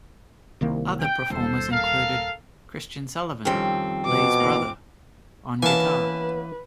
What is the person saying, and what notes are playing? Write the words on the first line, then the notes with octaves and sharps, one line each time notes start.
Other performers include Kristian Sullivan, Lee's brother, on guitar.
C2 D#3 A#3
G5
D#1 A4 C5
A4 A#4 F5
F2 D#3 G3 C4 C#4
B2 D6
E3 A#3
E3 A#3 B3 C#4 B4 G#5 A5